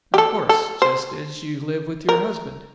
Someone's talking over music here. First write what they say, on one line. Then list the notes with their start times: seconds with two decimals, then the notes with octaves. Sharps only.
"Of course--just as you live with your husband."
0.14 G4
0.18 A4
0.49 A4
0.82 C5
2.09 A#4